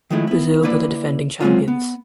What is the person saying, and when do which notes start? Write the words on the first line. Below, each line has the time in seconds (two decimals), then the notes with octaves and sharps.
Brazil were the defending champions.
0.10 D#3 F3 G#3 A3 E4
0.27 B3 E4
0.63 D3 A#3 E4 B4 D5
1.41 F#3 G#3 A3 C4 C#4 F4
1.68 B3